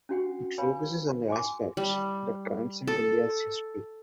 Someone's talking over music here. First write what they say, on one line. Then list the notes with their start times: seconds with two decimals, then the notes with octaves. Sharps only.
It focuses on the aspects that transcend India's history.
0.09 C#4 D4 F#4 F#5 G5
0.58 B4 C#5 F5 G5 G#5 B5
1.28 G5 G#5 C6 D6
1.77 G3
2.88 A4